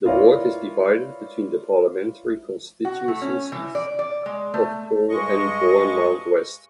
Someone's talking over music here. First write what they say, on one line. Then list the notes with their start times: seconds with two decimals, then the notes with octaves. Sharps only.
The ward is divided between the parliamentary constituencies of Poole and Bournemouth West.
0.05 E4 F4 A#4 B4 C#5 D5
2.85 F#4
3.08 A3
3.22 C#4
3.52 E3
3.75 D5
3.99 D5
4.26 G#3
4.54 A3
5.09 G2 G#3 D#5 C#6